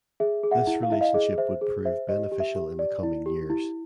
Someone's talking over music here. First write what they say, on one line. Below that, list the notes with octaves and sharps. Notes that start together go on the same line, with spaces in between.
This relationship would prove beneficial in the coming years.
G#4 E5
G#4
E5 F#5
E4
F5
E4 E5
D#5 F5
G#4 D#5
C5 E5
G#4
C5 E5
G4 D#5
G4
E5
G4
D5
E4
G4
E4